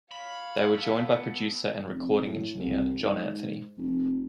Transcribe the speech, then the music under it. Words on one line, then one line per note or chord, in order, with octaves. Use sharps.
They were joined by producer and recording engineer John Anthony.
C#5 F5 B5
B3 A4
F1
A2
C2
G#2
F1